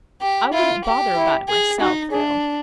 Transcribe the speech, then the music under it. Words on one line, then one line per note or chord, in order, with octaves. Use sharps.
I wouldn't bother about it myself, though.
G4
E4 F4
G4
E4
G#4
D#4 F#4
D4 G#4